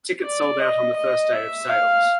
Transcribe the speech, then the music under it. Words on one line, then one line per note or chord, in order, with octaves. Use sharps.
Tickets sold out on the first day of sales.
D5
D#5
D#5
E5
F5